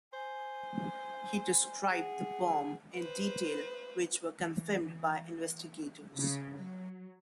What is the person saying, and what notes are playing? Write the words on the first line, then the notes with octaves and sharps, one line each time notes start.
He described the bomb in detail, which were confirmed by investigators.
C5 G#5
G#4 F#5
B4 C5
E3
C#3
F#3